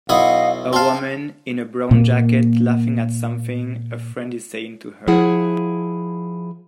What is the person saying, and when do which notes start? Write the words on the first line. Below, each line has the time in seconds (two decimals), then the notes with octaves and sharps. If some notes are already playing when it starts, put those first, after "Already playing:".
A woman in a brown jacket laughing at something a friend is saying to her.
0.09 B1 E4 D#5 F5 F#5 D#6
0.73 C4 F5 A5
1.91 A#2 A#3
5.08 F3 E4 G#4 F#5